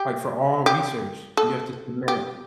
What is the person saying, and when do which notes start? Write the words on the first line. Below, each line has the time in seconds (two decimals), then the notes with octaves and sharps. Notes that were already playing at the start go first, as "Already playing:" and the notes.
like for all research, you have to submit,
Already playing: G4
0.66 G4
1.37 A4
2.08 G4